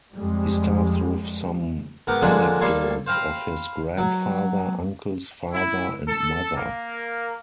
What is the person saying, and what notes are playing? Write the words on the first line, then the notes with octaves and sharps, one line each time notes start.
He starts with some anecdotes of his grandfather, uncles, father and mother.
F2 G3 G#3
G#2 B3 A#4 G5 D6
D3 F3 G#3 A#3 C#4 D4
G3 A#3 A4 C#5 C6
C5 F5 G5 A#5 B5
F#3
E4
A4
A#3